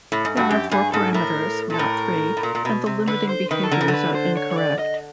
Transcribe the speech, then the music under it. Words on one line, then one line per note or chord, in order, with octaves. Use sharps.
There are four parameters, not three; and the limiting behaviors are incorrect.
A2
G#2
G2 F#4
F#2 G4
G2 G#4
G#2 A4
A2 A#4
A#2
A4
A2 A#4
A2
A#2
A#2
B2
C3
D3 B4
C5
D#3 B4
A4
D3 A#4
C#3
D3
B4
C5
C#5
C#5
D5
D#5